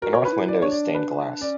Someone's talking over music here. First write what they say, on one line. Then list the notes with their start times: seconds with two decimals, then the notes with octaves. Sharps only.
The north window is stained glass.
0.02 F#4 A#4
0.13 C#5
0.25 D4 B4
0.33 E4
0.48 D5
0.62 D4 C#5
0.71 D5
0.94 D4 B4
1.41 C#4 D5